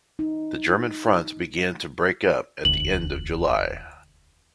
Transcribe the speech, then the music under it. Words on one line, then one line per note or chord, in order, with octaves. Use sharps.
The German front began to break up at the end of July.
D#4
E1 D2 F#7